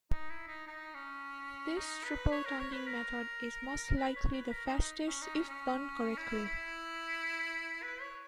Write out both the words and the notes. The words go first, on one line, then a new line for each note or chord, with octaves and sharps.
This triple tonguing method is most likely the fastest if done correctly.
D#4
E4
D#4
D#4
C#4
D#4
B4
C#5
A#4
C#5
B4
A#4
B4
C#5
B4
A#4
D#4
D#4
C#4
D#4
C#4
C#4
E4
E4
B4
C#5